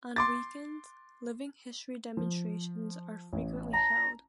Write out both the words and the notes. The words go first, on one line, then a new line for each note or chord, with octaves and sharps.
On weekends, living history demonstrations are frequently held.
C6 D6 A6
F3
A1
A5 A#5 A#6